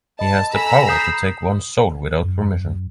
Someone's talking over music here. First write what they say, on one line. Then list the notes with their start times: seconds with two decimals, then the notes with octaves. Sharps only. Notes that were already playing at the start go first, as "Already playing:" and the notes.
He has the power to take one's soul without permission.
0.19 D#5 A5 B5
0.53 A4 G#5 A#5 B5 E6
0.88 D#6 G6 C7
2.23 F#2